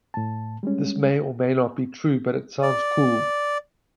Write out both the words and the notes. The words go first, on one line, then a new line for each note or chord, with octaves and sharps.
This may or may not be true, but it sounds cool!
A2 A5
G3 G#3 C#4
D5